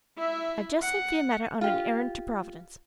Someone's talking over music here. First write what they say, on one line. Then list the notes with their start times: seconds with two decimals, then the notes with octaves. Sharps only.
I have just sent Fiametta on an errand to Providence.
0.18 E4 E5
0.82 F#5
1.61 F4 G4